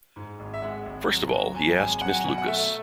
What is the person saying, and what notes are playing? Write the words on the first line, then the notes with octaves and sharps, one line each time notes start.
First of all, he asked Miss Lucas.
G#2
G#1
E5
G#3 F#5
G#1
F#3
F#3
F#3 G#5
G#1 G#5
F#3 F#5
G#5
B2 F#5
F#5
A3 E5